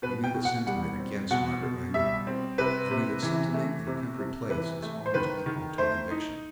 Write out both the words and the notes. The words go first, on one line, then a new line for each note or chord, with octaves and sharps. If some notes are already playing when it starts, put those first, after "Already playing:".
He knew the sentiment against Margaret Langmore, and knew that sentiment in a country place is almost equal to a conviction.
B2 B4
G5
B2
F#5
G3 F#5
C4
B2 F#5
B2
G3 E5
C4
C3 B4
C3
E3
A3
C3
C3
E3 B4
A3
C5
D#3 B4
D#3
A3 C5
D#4